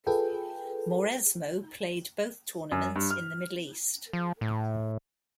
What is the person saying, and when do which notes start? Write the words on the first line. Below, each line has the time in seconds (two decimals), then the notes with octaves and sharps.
Mauresmo played both tournaments in the Middle East.
0.07 F4 G#4 A4 B4 G5
2.72 F#2
2.96 G2
3.11 F6
4.13 F3
4.41 A2